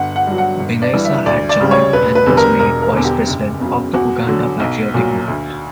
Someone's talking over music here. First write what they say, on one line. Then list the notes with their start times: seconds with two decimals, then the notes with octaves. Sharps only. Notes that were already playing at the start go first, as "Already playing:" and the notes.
Binaisa had joined, and was made vice president of the Uganda Patriotic Movement.
Already playing: G1 F#5
0.16 F#5
0.27 G2 F#3
0.38 F#5
0.60 G1
0.82 D5
0.93 G2 E3
1.05 E5
1.26 D2 D5
1.49 D5
1.61 C#3 G3
1.71 C#5
1.93 E1 B4
2.15 B4
2.26 E2 D3 G3
2.37 A#4
2.59 E1 A#4
2.82 A#4
2.93 E2 D3
3.05 G4
3.27 F#1
3.60 E2 C#3 F#3
3.93 E2 F#4
4.27 D3 F#3
4.60 B1
4.94 A#2 F#3
5.28 D2